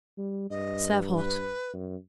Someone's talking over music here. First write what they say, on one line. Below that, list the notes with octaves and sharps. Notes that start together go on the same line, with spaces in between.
Serve hot.
G3
G2 D#5
B4
F#2